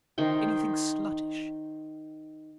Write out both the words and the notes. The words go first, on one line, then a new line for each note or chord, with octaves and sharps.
Anything sluttish?
D#3 D#4 C5 G5